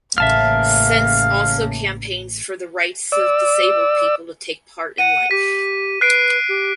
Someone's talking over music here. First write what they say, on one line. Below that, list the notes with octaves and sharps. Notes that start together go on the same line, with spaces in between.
Sense also campaigns for the rights of disabled people to take part in life.
A1 C#3 A#3 E5 F5 A5 F6
D5 E6
F#5 D#7
G4 B6
B4 F#6 C7 D7
G4